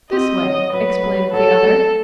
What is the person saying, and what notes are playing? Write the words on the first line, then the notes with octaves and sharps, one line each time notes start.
"This way," explained the other.
C4 D#5
F#3
F#3 B4
F#3
F#3 A4
A3